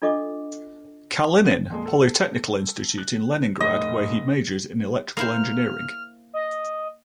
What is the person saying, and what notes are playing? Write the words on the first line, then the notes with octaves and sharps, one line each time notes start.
Kalinin Polytechnical Institute in Leningrad where he majored in electrical engineering.
D4 F4 A4 D#5 F#5 D6
F2 A#2 G#3
A4
F#6
F1 A2 D#5
A#3 E4 C5 F6
D#5